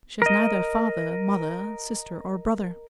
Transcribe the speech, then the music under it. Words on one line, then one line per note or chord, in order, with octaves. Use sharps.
She has neither father, mother, sister, or brother.
A#4 D#5